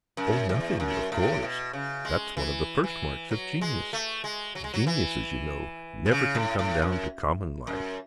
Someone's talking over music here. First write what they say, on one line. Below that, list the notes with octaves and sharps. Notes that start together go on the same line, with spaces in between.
"Oh, nothing, of course; that's one of the first marks of genius. Geniuses, you know, never can come down to common life."
F#2
E2
F#2
A2
B2
C#3
G#3
E3
E3
F#3
G#3
A3
G#3
F#3
G#3
F#3
E3
B2
C#3
A2
A2
F#2
F#2